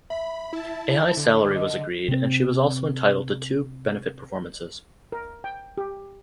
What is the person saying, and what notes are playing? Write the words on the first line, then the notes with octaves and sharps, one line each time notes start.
A high salary was agreed and she was also entitled to two benefit performances.
E5 B5
E4 A5
D3
D#5 D6
C3 C4
A#4
G5
G4